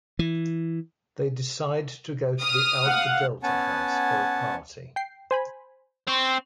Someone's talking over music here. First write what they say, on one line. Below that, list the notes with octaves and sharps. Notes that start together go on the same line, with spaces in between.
They decide to go to the Alpha-Delta house for a party.
E3
D#6 F6
F5 F#5
B3 C#4 F#5 G#5 A5
G5 C7
C5 G#5 B5
C4 C6 C#6